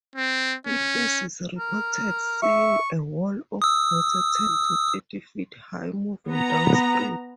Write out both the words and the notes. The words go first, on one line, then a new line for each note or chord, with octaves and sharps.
Witnesses reported seeing a "wall of water" ten to thirty feet high moving downstream.
C4
C#4
A#4
E5 C#6
D#6 E6
B3 A#5